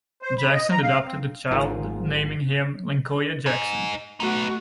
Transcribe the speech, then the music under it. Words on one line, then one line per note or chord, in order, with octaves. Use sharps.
Jackson adopted the child, naming him Lyncoya Jackson.
C5
B5
D#5
A#5
F5
C4
G#1 G#2 F4 G#4 A#4 A5
D#4 G#4
A3 B3 D#4 F#4